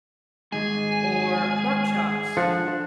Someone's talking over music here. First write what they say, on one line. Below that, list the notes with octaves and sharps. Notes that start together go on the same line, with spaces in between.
or pork chops.
G#2 D#3 G#3 G#4 G#5
F3 D4 A4 F#5